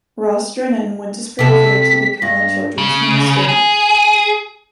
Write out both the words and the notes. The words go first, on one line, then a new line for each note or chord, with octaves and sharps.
Ross Drennan went to Springfield to become a children's minister.
C3 A4 B6
G2 A#6
C#3
G#4